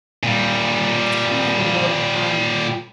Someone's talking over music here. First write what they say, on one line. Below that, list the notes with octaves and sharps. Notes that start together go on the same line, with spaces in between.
It's kinda like a Whoop. Um,
A#2 G3